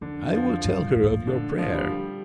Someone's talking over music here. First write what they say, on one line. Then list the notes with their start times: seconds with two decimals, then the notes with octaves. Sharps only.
I will tell her of your prayer.'
0.01 F2 D3
0.33 F3
0.64 G2
0.96 A2
1.03 A#2
1.12 A2
1.27 D3
1.59 F3
1.75 G3
1.90 G3